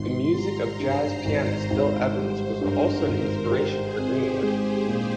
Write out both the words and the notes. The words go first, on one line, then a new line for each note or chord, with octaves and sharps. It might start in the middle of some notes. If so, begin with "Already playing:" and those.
The music of jazz pianist Bill Evans was also an inspiration for Greenwood.
Already playing: G#1 C6
G3 A#5
G2 C5
G#1
G#1
G3
G2 A#4
G#1
G4 C5
G#4
C4
G4
G#3 G#4
A#2